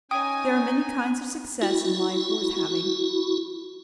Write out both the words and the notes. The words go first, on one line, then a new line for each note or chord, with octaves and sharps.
There are many kinds of success in life worth having.
C#4 D#4 G5 G#5 D#6
E4 F#4